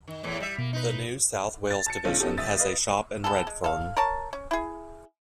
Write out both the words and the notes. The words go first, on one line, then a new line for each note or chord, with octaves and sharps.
The New South Wales Division has a shop in Redfern.
D#3
E2 A2 E3
G3 E5
B2 A#3
D#4 B4
A6
A5 A6 C#7
B1 D3 C#4 F4
B3 C#4 D#4 G4 A4
G1 E5 D#6 A6
B4 D#5 F5
B3 G#4 A4
G#3
A4 F5
A#4 C#5 A5
C#4
E4 G#4